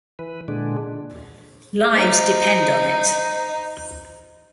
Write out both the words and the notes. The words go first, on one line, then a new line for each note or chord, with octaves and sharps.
Lives depend on it.
E3 B4
A#2 D3 G#3 D4
D#4 C5